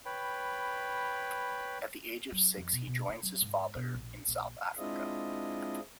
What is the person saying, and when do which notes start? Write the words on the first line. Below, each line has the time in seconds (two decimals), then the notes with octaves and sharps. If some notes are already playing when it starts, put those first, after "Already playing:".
At the age of six he joins his father in South Africa.
0.06 B4 C#5 G5 B5
2.32 F#3
2.57 F2
2.73 B2
2.87 B2
3.08 D4
3.23 F#3
3.42 G#2
3.75 B2
3.94 A#1
4.28 A#1
4.78 G#3 C4 D4 E4 F4 D#5